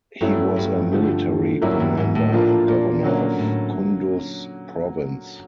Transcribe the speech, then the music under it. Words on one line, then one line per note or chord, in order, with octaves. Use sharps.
He was a military commander and governor of Kunduz province.
G2 F#3 A3 C#4 E4
G2
D3 F3 A3
G2 F#3 A#3 C#4 E4
F#2
G2
G#2
A2
A#2 F3 A#3 D4 F4
A#2
D3 F#3 A#3 C#4
A2